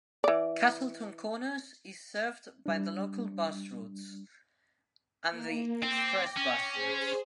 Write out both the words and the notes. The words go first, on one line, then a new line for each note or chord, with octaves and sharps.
Castleton Corners is served by the local bus routes, and the express bus routes.
E3 D5
G3 D4
A#3
C4 G5 D6 A#6
C#4
G#4 C5